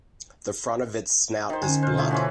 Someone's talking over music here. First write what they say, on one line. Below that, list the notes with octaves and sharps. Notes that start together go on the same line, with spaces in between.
The front of its snout is blunt.
D#3 C5
D3 C#4 G#5
B2 C5 F6 F#6
F3 A3 E4
E3 C#4 F#4